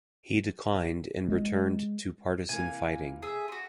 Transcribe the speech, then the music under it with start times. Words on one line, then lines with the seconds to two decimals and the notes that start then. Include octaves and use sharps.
He declined and returned to partisan fighting.
1.29 G#3
2.49 C3 E3 A#3 G#5
3.22 G#4 E5
3.48 F4 F#4